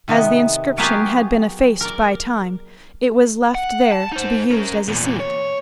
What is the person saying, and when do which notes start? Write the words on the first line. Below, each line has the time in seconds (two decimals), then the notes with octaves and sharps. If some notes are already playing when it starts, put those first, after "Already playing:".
As the inscription had been effaced by time, it was left there to be used as a seat.
0.08 C3 D#3 B3
0.78 F#3 A#3 B3 F4 G4 G#4
1.81 A#4 D5
3.55 F#5
3.92 A5
4.12 D#4 C5
4.51 C#4 A#4
4.88 E2 A#2
5.20 C#5